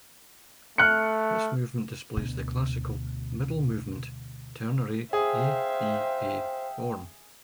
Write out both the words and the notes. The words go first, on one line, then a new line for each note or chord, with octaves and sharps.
This movement displays the classical "middle movement" ternary a-b-a form.
A3 F6 F#6 C#7
D2 B2
G#4 C5 E5 F5 G5